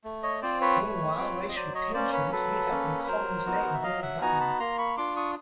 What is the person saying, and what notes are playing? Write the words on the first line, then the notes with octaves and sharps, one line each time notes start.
Meanwhile, racial tensions heat up in Colin's neighbourhood of London.
A3
C#5 D#5
C4 F4 C5 D5
B4 C#5
A3
C4 F4
D#5
F#3 C5 D5
C#5 D#5
A#3 C#4 C5 D5
B4 C#5
F#3 A4 B4
A#3 C#4
B4
F#3 A#4 C5
B3 D#4 F#4
E5
F#3 D#5 F5
E5 F#5
B3 D#4 F#4 G#5 A#5
A5 B5
A#3 A#5 C6
B5 C#6
D4 F4 C6 D6
C#6 D#6